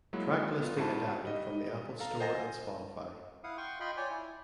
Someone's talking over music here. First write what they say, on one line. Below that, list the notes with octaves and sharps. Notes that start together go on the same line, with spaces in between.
Track listing adapted from the Apple Store and Spotify.
F#3 G#3 A#3 E4 F#4
B3 F4
G#2 D4 E4 F#4 C5 A5
G3 D#5
A4 F5 A#5
C5 D#5 F#5 G#5 A6 A#6
E4 F5 F#5 D#6
F#5 G5 C6 C#6
F4 D#5 G5 B5 C6
C#5 D5 G5 G#5
E4